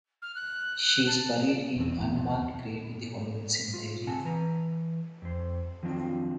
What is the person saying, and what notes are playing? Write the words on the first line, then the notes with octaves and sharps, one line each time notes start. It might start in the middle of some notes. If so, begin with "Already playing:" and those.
She is buried in unmarked grave in the Hollywood Cemetery.
F6
F#6
A5
F1 E2 C4
G1 F2 E3
F2
D#2
F4
C#3 C4 F#5 G#5 A5
E3 B4 A#5
F2 C5
D#3 F3 F#3 C4 D4 F4